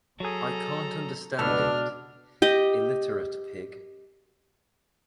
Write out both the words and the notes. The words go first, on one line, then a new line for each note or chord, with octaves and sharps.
I can’t understand it. Illiterate pig.
F#3 G#4 A4 A#5
C#2 F#2 B2 D4 A4 F6
G4 D#5